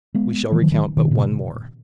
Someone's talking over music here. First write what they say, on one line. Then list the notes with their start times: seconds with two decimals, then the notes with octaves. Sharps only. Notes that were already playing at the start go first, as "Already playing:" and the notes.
We shall recount but one more.
0.14 G#3 B3
0.52 E3 G#3
0.62 D#3 F#3
0.72 D#3 F#3
0.97 B2 D#3
1.11 A#2 C#3